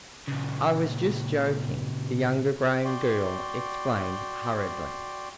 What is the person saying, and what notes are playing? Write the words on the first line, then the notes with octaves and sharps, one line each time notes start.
"I was just joking," the younger Graham girl explained hurriedly.
A#2 C#3
F#4 D5 G5 C6